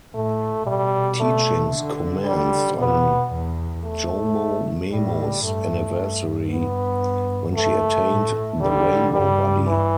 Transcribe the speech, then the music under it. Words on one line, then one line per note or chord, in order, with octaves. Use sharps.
Teachings commenced on Jomo Memo's anniversary, when she attained the rainbow body.
A2 A3
B2 G3
A3
D3
G3
B2 B3
E2
A3
A2 G3
G2 A3
G2
B3
A3
A2
D3 G3
G2 G3
E3